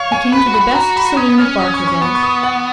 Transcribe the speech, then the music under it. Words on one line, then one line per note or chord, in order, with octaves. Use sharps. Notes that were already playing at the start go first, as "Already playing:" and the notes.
He came to the best saloon of Barkerville.
Already playing: C#5 F5 C#6
G#5
B4 B5
F#4
B5
F#4
A#5
B5
C#4 D#6
B3
C#4 F6
D#6
C#6
C#6
B3 C#6
C#6
D#6
F#5